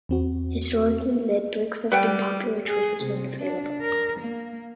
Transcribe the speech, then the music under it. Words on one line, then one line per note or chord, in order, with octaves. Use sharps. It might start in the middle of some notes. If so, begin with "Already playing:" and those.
Historically, lead bricks have been popular choices when available.
E2 C4 F#4
G3 B4 F#5 G5
G#4
C3
D4
A#4
A#3